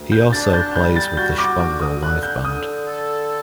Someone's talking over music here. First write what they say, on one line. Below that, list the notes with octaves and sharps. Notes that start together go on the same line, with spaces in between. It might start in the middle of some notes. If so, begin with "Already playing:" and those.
He also plays with the Shpongle Live Band.
Already playing: D2
G6
D4 A6
G6
G3 G6
A6
F#4 G6
D6
D3 D6
D#6
D3 F#6
G6
D3 D#6
A4